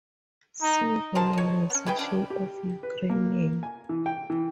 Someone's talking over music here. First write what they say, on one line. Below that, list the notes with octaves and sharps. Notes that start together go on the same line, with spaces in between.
See romanization of Ukrainian.
D#4 A#5
D3 A#4 C5 A5
C#5 D#5
B3 C#4
E3 G#4 B4 G5
C#3 F3 D4
G4
B4
A#3
G#5
E3
G5
E3